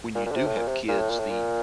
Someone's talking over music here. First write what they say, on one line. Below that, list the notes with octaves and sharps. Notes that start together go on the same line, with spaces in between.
when you do have kids, the
A#2
A#2
D3
C3
A2
A#2
C3
A#2
A2
A#2
A2
A#2